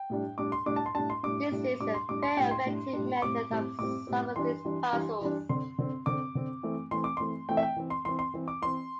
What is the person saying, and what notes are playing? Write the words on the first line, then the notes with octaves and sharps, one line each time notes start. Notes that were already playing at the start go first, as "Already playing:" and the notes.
This is a very effective method of solving these puzzles.
Already playing: G5
A2 G3 D4
A2 G3 D4 D6
C6
A2 G3 D4 D6
A5
C6
A2 G3 D4 A5
C6
A2 G3 D4 D6
A2 G3 D4
A2 G3 D4 D6
C6
A2 G3 D4 D6
C6
A2 G3 D4 G5
C6
A2 G3 D4
A2 G3 D4
A2 G3 C4 D6
A2 G3 C4
A2 G3 C4 D6
A2 G3 C4
E3 G3 D4 C6
E3 G3 D4
E3 G3 D4
E3 G3 D4
D3 C4 C6
D3 C4
D3 C4 D6
D3 C4
E3 A3 C4
E3 A3 C4 C6
D6
E3 A3 C4 C6
E3 A3 C4 G5
E5
G5
E3 C4
C6
E3 C4 C6
C6
E3 C4
D6
E3 C4 C6